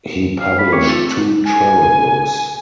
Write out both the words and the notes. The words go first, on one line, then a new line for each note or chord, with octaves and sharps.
He published two travel books.
F5
C#5 B5
A3 C4 C#5 D6
F4 A4
G#5